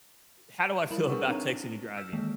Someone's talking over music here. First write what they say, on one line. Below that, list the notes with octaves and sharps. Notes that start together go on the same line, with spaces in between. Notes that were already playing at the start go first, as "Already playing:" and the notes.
how do I feel about texting and driving?
G3 E4 A#4 B5 E7 F#7
D4 G#4 A#4 B4 F#5 C#6
C4 D4 D#4 C#5 A#5 D#7
E4
E6 F6 G6 B6 E7
D#3 E3 G#3 A#3